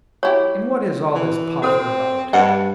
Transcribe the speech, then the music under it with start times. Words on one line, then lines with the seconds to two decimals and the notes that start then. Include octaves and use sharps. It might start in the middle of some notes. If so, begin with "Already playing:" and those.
And what is all this pother about?
0.23 F#3 E4 G4 C#5
1.14 E3
1.62 C4 F#4 A4 C5
2.33 G2 D#5 F#5